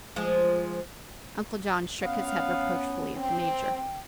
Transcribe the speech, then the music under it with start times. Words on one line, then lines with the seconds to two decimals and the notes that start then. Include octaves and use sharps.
Uncle John shook his head, reproachfully, at the Major.
0.16 F3 G#3
2.03 B3 C#4 F5
3.17 C4 G5